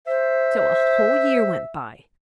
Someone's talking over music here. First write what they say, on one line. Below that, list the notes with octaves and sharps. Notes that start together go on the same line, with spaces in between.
So a whole year went by.
C5 E5